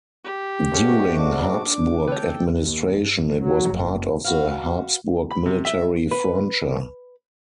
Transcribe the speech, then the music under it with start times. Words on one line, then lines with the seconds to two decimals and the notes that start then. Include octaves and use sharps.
During Habsburg administration, it was part of the Habsburg Military Frontier.
0.24 G4
0.72 G#2 A3 A#3 C#4 F#4 G#4
1.19 D4 D6
2.08 A4 B4 C#5 G5
2.64 D#2
3.01 G2
3.40 F#3
3.73 F#1
4.24 F#4 B4 F5
5.31 B5
5.46 C3
5.65 E5
6.11 B4